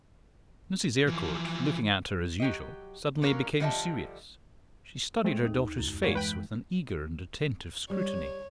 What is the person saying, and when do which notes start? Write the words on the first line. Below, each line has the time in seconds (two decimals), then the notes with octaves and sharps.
Mrs. Eyrecourt, looking at her as usual, suddenly became serious: she studied her daughter's face with an eager and attentive scrutiny.
1.07 E3 F3
2.40 F#3 G4 D#5
3.22 D3 F#3 A#3 C#4 A#4
3.60 D3 F3 G3 D#5 E5 A5
5.24 G#3 A3 C4
5.45 D#2 D#4
5.79 C#2 F#2
6.03 E3 G3 G#3 A#3 C#5 F#5
6.15 B4 G5 B5
7.90 G3 C#5